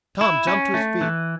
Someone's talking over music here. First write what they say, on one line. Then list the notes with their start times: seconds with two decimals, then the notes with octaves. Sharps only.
Tom jumped to his feet.
0.21 E4
0.47 C#4
0.74 A3
1.01 E3